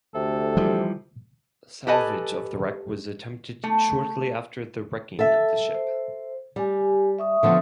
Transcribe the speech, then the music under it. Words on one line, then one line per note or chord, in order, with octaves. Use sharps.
Salvage of the wreck was attempted shortly after the wrecking of the ship.
D2 C3 A4
E3 F3 G3
G4 A4 B4 D#5 G#5
A3
A4 E5
C5
G3 G4 G#5
E5 C#6 D#6
D3 F3 B3